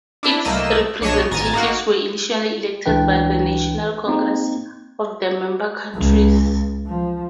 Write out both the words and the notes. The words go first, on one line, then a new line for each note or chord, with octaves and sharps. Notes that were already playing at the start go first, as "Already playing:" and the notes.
Its representatives were initially elected by the national congresses of the member countries.
D4 E4
C2 A3 A#3 D#5 E6
B1 D4 C#5 D#5 E7
G#1 G#5 A#5 G#6 A6
A#3 D#4 F#4
C#2 E3 D4 B4 G5
A#3 C4 D#4
C#2
F3